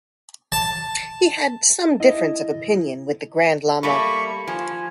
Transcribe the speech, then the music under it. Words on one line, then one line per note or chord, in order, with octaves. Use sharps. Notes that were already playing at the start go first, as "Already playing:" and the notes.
He had some difference of opinion with the Grand Lama.
A5
E4 D#5
G3 A3 A#3 B5 C#6
F3 G#5